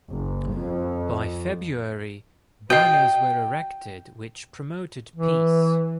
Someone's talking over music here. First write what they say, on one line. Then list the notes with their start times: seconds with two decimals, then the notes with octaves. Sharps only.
By February banners were erected which promoted peace.
0.11 F#1
0.53 F2
2.70 F#4 D#5 G5
5.16 E3